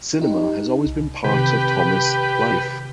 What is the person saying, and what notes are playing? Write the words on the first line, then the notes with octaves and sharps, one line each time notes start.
Cinema has always been a part of Thomas' life.
D#4 G4
C2
C3 D#3 G4 B4